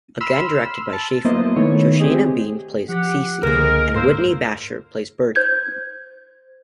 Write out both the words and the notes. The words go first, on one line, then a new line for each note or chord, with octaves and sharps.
Again directed by Schaeffer, Shoshana Bean plays Cee Cee and Whitney Bashor plays Bertie.
B5 C6 E6 F6
A5
F#3 A#3 B3 E4 C5 D#5
D#3 A3 B3 E4 C#5
C4 G4 G#4 D#5
F3 G4 F#5
C#2 D3 G#3 A#3 A#4
G#2 A#3 E4 C5 C6 E6
C5 G6 G#6